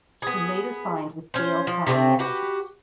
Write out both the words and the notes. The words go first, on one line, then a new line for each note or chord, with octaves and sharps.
She later signed with Gail Cowan Management.
B3 G#4
C#4 C5
F3
C3 A3 B3 C4
F#4 G4 B4